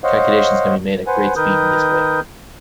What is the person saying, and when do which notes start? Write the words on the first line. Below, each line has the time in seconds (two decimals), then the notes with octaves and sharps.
Calculations can be made at great speed in this way.
0.04 C5 C#5 D#5 F5 F#5
1.07 B4 C5 F#5 G#5
1.36 D#3 A#4 B4 D#6 G6